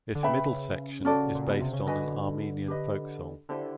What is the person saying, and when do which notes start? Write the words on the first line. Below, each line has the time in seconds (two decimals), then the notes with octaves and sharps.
Its middle section is based on an Armenian folk song.
0.15 D3
0.23 C#3 B4 E5 G5 B5
1.05 C#4 F#4 A4 D5
1.35 A#2
1.47 B2
1.61 C3
1.73 C#3
1.86 D3 F#4 B4 D#5 G#5
2.68 G4 B4 D#5
3.49 D3 E4 G4 C5